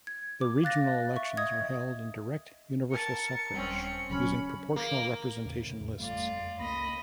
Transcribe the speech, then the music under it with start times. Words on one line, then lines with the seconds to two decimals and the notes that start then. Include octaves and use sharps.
The regional elections are held in direct universal suffrage using proportional representation lists.
0.07 G#6
0.41 D6
0.64 F5 F#6 A6 A#6
1.16 E5 C#6
1.37 D#5 D#6 G#6
2.91 A#4 A5 C#7
3.53 D#1 G3 C4 C#4
4.10 D1 C#3 F#3 C#4 B5
4.76 A#3
5.45 E2 A2 C#3
6.00 G1 F2 G3 A3 F4 D5
6.60 C#2 A#3 D#5 B5 A#6